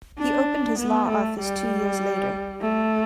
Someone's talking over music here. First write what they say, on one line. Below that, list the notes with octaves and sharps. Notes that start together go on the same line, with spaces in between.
He opened his law office two years later.
D4
B3
A3
G3
A3